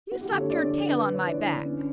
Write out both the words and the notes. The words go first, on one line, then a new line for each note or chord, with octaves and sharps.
"You slapped your tail on my back!"
E4 F#4
G4
D3 A4
C#5
D3 D5
D3
D3 B4
D3
C#5
E4 D5
D3
C#4